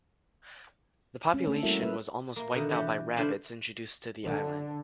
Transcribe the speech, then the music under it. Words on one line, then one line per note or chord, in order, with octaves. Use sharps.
The population was almost wiped out by rabbits introduced to the island.
G#3 C4 C#4
A3 A4
G3 A#3 E4 F#4 A#4 E5
B4 E5
A#3
B2 D3 D#3
E3 G4 F#5
D3 D4 F4 C5 B5 C6
D3